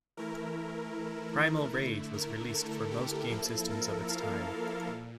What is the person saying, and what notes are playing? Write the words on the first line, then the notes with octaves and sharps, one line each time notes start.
"Primal Rage" was released for most game systems of its time.
E3 A3 E4 A#4
D3 A3 E4
A#4
A4
G4
F3 A#3 E4 A4
A#4
F5
F5
A#2